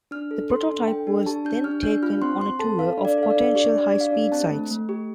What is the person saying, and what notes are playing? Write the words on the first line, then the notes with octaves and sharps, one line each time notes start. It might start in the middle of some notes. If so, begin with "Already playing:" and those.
The prototype was then taken on a tour of potential high speed sites.
D4 F6
A4
A4 C6
D4
A4 G5
D4
G4 A5
D4 G6
G4 F6
D4 G6
F4 F6
C4 C6
C4 C6
A4 A5
A4 F5
D4
D5
A4
F5
D5
D4
G4 D5
D4
D5
G4
F5
D5
D4
C4 A5
A3
A3
G4